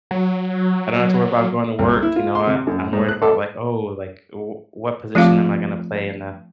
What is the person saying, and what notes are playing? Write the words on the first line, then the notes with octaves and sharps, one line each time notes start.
I don't have to worry about going to work," you know? I I'm worried about, like, "Oh, like, w what position am I gonna play in the
F#3
C2
E4
F4
C6
C3
F#2
G#2
F#6
A4
F3 A3 C4 F4 F5